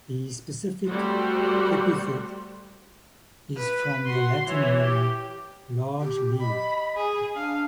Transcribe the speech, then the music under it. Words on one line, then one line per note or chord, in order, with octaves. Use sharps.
The specific epithet is from the Latin meaning "large leaved".
G3 A3 C4 F#4 C5
B4
F#4 C6
E3 C#5
G4
G4
D#5 B5
G#4
D4 F5